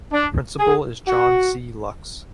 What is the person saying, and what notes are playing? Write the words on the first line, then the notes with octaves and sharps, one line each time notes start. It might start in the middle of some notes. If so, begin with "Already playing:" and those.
The principal is John C. Lux.
D4
G#4
F#4